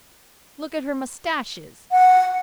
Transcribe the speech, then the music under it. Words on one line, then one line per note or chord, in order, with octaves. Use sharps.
Look at her moustaches!
F#5